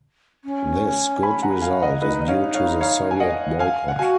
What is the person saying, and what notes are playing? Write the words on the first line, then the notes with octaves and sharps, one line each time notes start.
This good result is due to the Soviet boycott.
C#4
G#5 B5
F#5 A#5
F5 G#5
D#5 F#5
D#4 B4 D#5
D#5
C#5 F5
C#5 F5
C#5 F5
G#5
D#5 F#5
F5 G#5
F#5
F#4 F5 G#5